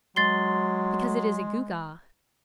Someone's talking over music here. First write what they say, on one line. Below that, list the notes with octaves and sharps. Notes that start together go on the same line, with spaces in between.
Because it is a gewgaw.
F#3 G#3 C6 A6 C7 G7